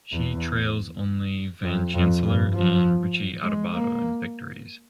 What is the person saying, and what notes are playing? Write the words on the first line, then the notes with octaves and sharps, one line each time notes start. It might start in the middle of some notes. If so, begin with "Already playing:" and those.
She trails only Van Chancellor and Richie Adubato in victories.
E2
F2
F2
G2
F3
G#3
A#3